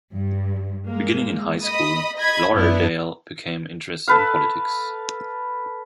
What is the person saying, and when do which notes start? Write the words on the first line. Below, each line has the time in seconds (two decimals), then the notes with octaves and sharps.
Beginning in high school, Lauderdale became interested in politics.
0.13 G2
0.88 G#3 A#3
1.63 D#5 B5 D#6
2.17 D#5 B5 G#6
2.52 F#2 B3 D4 E4
4.08 A4 B4 F5